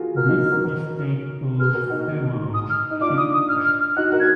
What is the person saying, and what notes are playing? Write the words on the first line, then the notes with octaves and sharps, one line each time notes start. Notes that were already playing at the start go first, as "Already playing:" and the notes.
This mistake caused several shipwrecks.
Already playing: F4 F#4 G#4 A#4
F#4 A#4 F6
D#4 F#4
F#4 A#4
F#4 A#4
G#4 B4 F6
F#4 A#4
D#4 F#4
D#4
D#6
F6
D#4
D4 F4 D6
D#6
D#6
F6
F6
F6
D#4 F#4 F#6
F#4 A#4
G#6